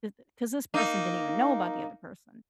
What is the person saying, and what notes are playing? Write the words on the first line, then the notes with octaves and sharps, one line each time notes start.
'cause 'cause this person didn't even know about the other person.
A#3 D#4